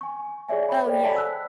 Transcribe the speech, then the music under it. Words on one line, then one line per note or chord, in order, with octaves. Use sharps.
Oh, yeah.
G#5 C#6
G#4 C#5 D5 E5 G#5
C#5 B5
A4 C5 D5 D#5 G5
D5 F#5 G#5 A5 B6
E6 F#6